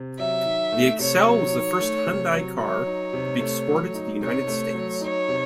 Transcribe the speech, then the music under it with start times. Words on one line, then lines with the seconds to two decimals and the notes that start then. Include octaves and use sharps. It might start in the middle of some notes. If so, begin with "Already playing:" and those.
The Excel was the first Hyundai car to be exported to the United States.
Already playing: C3
0.18 F#3 E5
0.45 D#3
0.72 A3
0.99 C3 C#5
1.26 F#3
1.53 D#3
1.80 A3
2.06 C3
2.34 F#3
2.60 F#3 C#5
2.87 D#4
3.13 C3
3.40 A3
3.67 F#3
3.94 D#4
4.20 C3 C#5
4.47 A3
4.74 F#3
5.01 D#4 C#5
5.28 C3